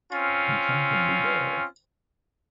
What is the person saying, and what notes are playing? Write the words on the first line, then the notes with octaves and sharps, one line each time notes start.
We come from Búger.
C4 C#4 F4